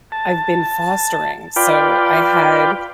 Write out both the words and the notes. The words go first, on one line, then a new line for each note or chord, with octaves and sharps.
I've been fostering. So I had
A5
F4 B4 D5 G5